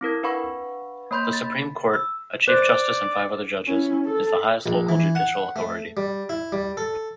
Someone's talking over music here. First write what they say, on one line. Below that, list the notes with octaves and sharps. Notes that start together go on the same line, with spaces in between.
The Supreme Court-a chief justice and five other judges-is the highest local judicial authority.
C4 E4 A#4 G#6
D4 B4 F5 F#5 B5 C#6
A#3 C#5 B5 C6 G6
B5 A6
E6
C5 D5 F#6
C#4 E4
A4
A#1
E3
F#5
A3
G3
E4
G3
A4